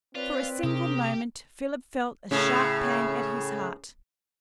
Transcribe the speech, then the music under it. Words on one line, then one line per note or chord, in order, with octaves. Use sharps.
For a single moment Philip felt a sharp pang at his heart.
C4 F4 B4 C#5 D5
C3 G4 G#4 A#4 D#6
A2 C#3